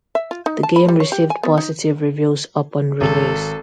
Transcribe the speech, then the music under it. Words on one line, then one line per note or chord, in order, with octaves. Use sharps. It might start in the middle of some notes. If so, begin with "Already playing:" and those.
The game received positive reviews upon release.
E5
F4
D#4
A5
B5
G3
C#5
G4
G#5
B3
D#4
G#1 A4